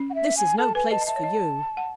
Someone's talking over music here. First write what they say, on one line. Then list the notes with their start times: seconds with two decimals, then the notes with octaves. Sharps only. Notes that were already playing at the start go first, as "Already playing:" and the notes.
'This is no place for you.'
Already playing: C#4
0.10 F#5
0.15 E5
0.37 G#5
0.58 A4 A5
0.75 B4 G#5
0.91 D#5 A5
1.01 D#5
1.07 E5 A5
1.16 C#5
1.23 D#5
1.77 F#5